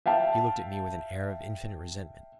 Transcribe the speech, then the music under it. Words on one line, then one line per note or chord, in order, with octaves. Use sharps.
He looked at me with an air of infinite resentment.
E5 F5 G5 A5